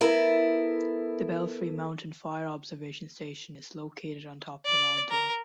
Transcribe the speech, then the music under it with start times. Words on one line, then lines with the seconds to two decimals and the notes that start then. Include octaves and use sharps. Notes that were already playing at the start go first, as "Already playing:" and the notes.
The Belfry Mountain Fire Observation Station is located on top of the mountain.
0.01 B3 E4 A4 A#4
4.65 D5
5.10 A#4